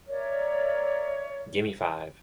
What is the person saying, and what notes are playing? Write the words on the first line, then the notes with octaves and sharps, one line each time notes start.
Gimme five.
A#4 C#5 D5 E5